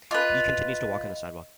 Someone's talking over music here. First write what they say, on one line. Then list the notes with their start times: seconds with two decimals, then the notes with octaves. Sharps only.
He continues to walk on the sidewalk.
0.11 F4 B4 D#5